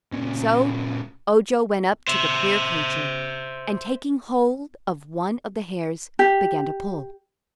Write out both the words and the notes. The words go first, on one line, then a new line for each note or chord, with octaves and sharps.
So Ojo went up to the queer creature and taking hold of one of the hairs began to pull.
A#2 C#3
C5 E5
G4